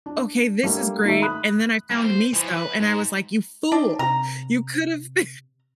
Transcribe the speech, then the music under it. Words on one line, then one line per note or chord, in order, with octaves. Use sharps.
"Ok, this is great." And then I found miso and I was like, "You fool, you could have been
D4
G3 A3 A#3 D4
D#3 A3 E5
B5 D#6 F#6
A2 G3
C5
E3 F3
B4
G#2
D4 D#4
C3 A#5